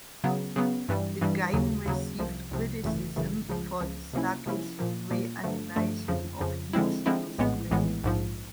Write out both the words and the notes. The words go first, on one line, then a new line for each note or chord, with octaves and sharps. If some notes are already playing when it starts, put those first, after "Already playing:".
The game received criticism for the sluggish reanimation of each new screen.
C#3 F#3 B3
C#3 F#3 B3
G2 E3 G3
G2 E3 G3
D#2 C#3 F#3
D#2 C#3 F#3
C2 C3 F3
C2 C3 F3
G#1 F#2 C#3 E3 A3
G#1 F#2 C#3 E3 A3
C#2 C#3 F3
C#2 C#3 F3
C3 F3 A#3 C#4 E4
C3 F3 A#3 C#4 E4
A#2 F3 A#3
A#2 F3 A#3
G2 D3 F3 A3
G2 D3 F3 A3
F2 C#3 F3
F2 C#3 F3
D3 F3 G#3 C4 E4
D3 F3 G#3 C4 E4
A#1 A2 E3 G#3 B3
A#1 A2 E3 G#3 B3
A#1 G#2 F3